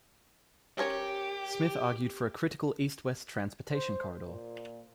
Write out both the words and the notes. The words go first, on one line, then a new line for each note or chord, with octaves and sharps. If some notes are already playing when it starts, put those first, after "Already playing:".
Smith argued for a critical east-west transportation corridor.
C#4 G4 A#4 C#5
C5
A#2